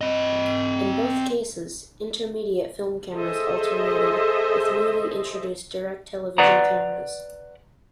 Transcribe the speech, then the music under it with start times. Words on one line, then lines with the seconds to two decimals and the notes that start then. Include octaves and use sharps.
In both cases, intermediate film cameras alternated with newly introduced direct television cameras.
0.01 C4 D#5
3.15 G#4 A4 C5 D#5 E5
6.38 B4 D5 F#5 A#5